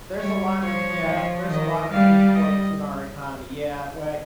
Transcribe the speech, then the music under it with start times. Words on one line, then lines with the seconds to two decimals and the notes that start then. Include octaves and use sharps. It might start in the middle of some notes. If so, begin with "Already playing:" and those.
There's a lot of yeah, there's a lot of imports in our economy yeah. We yeah,
0.18 G3 C#5
0.62 F3 C#5
1.05 F3
1.48 D#3 D#5
1.91 G3 F5
2.35 D#5